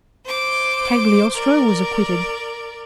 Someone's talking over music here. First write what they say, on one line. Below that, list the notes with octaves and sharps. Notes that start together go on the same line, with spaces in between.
Cagliostro was acquitted.
C5 D6
A#4 D5